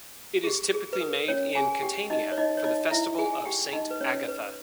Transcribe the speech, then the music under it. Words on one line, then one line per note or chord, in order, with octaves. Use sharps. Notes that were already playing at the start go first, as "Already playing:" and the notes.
It is typically made in Catania for the festival of Saint Agatha.
G#4
G4
G#4
B4
A#4
C#4 C#5
G#4 G#5
G4 G5
D#4 D#5
C#5
D#4 D#5
C#5
D#4 D#5
E4 E5
G#4 G#5
G4 G5
D#4 D#5
B4
C#4 C#5
B4